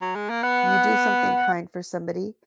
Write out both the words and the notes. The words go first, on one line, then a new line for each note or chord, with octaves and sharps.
you do something kind for somebody
F#3
G#3
A#3
B3 F#5